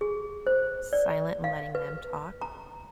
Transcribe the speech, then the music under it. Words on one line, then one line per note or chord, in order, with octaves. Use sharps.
silent and letting them talk
G#4
C5
D5
F5
B4
A#5